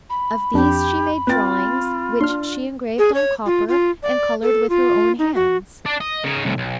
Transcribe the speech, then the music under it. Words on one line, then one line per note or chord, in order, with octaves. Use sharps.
Of these she made drawings, which she engraved on copper, and coloured with her own hands.
B5
F2 D4 G4
C4 F4 B4 G5 A6
D4 C6 F6
G#4
C#5
F4
F4
D5
A4
F4
D#4
F#4
D4 D5
D#5
C#3 D#4
C2 A2
B1